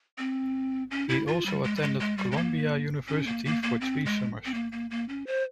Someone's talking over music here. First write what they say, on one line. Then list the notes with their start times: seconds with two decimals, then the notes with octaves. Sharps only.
He also attended Columbia University for three summers.
0.18 C4
0.91 C#4
1.09 E4
1.27 F4
1.46 G3
1.64 G#3
1.77 G3
1.82 G#3
2.00 G#3
2.18 G3
2.31 G#3
2.37 A#3
3.08 C#4
3.27 A#3
3.45 A#3
3.63 A#3
3.81 C4
4.06 G#3
4.45 C4
4.54 A#3
4.72 A#3
4.91 A#3
5.09 C#4
5.27 C5